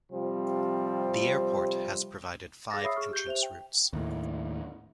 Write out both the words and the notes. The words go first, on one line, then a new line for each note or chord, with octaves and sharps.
The airport has provided five entrance routes.
C3 F3 G3 C4
G#4 F5 D6 A6 A#6
C#5 E5 B5 D#6 E6 C7
G#4 C#6 F6
G4 G6 G7
G4 C5 E5 F7
G5
D#2 A2